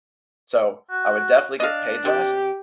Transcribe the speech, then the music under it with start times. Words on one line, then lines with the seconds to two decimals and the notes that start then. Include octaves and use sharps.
so I would definitely get paid less,
0.90 F#4
1.60 D4 D#5 F5
2.05 C3 G4